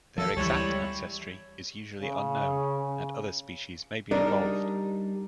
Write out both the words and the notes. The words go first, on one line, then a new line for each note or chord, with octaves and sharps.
Their exact ancestry is usually unknown and other species may be involved.
F3 A4
D2 E3 G3 G#3 E4 C#5
C#3
G3 D4 D#4 A#4